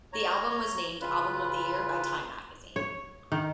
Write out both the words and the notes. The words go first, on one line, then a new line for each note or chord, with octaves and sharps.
The album was named "Album of the Year" by "Time" magazine.
C#5 A#5
C#3 F4 B4
C#5
D#3